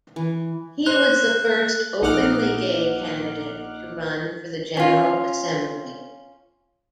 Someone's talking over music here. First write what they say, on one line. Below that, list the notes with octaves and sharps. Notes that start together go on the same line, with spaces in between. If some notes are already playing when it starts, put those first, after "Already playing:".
He was the first openly gay candidate to run for the General Assembly.
E3
C5 F#6
A#1 D#4 F#5 D6 F6 F#6
C#4 F4